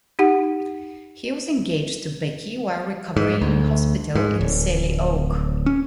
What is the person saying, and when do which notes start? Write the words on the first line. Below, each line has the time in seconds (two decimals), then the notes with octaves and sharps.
He was engaged to Becky while recovering in hospital in Selly Oak.
0.19 D#4 G4 F#5
3.17 G#2
3.42 D2
4.15 G#2
4.41 D1
5.66 C#4